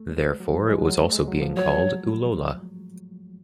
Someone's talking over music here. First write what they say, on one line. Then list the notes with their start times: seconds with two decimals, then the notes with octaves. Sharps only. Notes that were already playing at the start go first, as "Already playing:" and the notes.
Therefore, it was also being called "Ullola".
Already playing: A3
0.11 G#3
0.40 F#3
0.54 F3
0.69 G#3
0.84 F#3
0.99 A3
1.12 G#3
1.28 F#3
1.41 F3
1.56 F#3 C#5